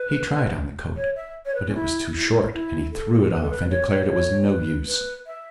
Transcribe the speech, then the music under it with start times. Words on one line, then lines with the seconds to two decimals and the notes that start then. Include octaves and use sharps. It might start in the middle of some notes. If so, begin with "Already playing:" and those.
He tried on the coat, but it was too short, and he threw it off, and declared it was no use.
Already playing: B4
0.96 C#5
1.15 E5
1.45 C#5
1.54 B4
1.68 C#4
1.74 E4
2.14 E4
2.53 E4
2.92 A4
3.31 B4
3.42 A4
3.50 B4
3.70 C#5
3.89 C#5
4.09 C#5
4.47 B4
4.87 B4
5.26 E5